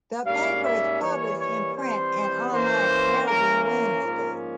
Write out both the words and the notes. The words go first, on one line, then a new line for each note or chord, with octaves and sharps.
The paper is published in print and online every Wednesday.
G#2 G3 A#3 C#4 F5
E5
E3 G3 A#3 C#5
C#5
E3 G3 C4 C5
E3 A#3 C#4 C5
E3 A#3 C#4 A#4
A#4
G#2 F3 A#3 C#4